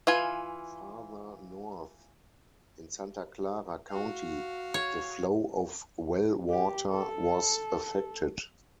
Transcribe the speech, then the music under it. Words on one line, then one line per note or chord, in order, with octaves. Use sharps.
Farther north in Santa Clara County the flow of well water was affected.
E3 F4 G#5
F#4 F5
C#5
G4
A4